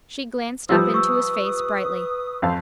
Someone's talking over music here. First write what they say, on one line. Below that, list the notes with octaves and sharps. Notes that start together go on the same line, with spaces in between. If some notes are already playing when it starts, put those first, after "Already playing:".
She glanced up into his face, brightly.
F3 G3 F4 B4 D#6 E6
C#6 E6
F2 C5 F5 A5